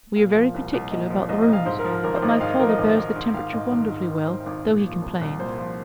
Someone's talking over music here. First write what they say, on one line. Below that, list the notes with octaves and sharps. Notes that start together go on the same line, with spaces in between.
We are very particular about the rooms, but my father bears the temperature wonderfully well, though he complains.
A#2 F5
F3
C2
C2
A#2 D#5
F3
C2 D#5
D#5
C2
F5
G#2 C5
A#4
F3
A#4
G#1 A#4
C5
G#1
D#5
G#2 F5
D#5
F3 A#4
D#5
G#1
G#1
G#2
D#3 F5
G#1 D#5
G#1
G#2
D#3
G#1 C5
F5
G#1
A#2
F3
C2
C2
A#2 C5
F3